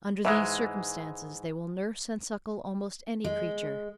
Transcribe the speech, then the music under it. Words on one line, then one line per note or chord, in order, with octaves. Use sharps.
Under these circumstances, they will nurse and suckle almost any creature.
G#2 E3 G#3 E5
G#3